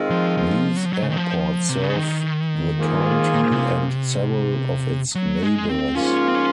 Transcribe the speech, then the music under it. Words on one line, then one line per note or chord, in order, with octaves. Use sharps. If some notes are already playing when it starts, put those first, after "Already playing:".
These airports serve the county and several of its neighbours.
Already playing: D#3 G#3 C4 F4
F3
F3
F#3
F3
F#3
C#3
D#3
F3
C3
C#3
D#3
G#2 F3 A#3 F4 G#4
C#3
C3
F#3
G#3
C4
G#2 F3 A#3 C#4 F4
C4
C#4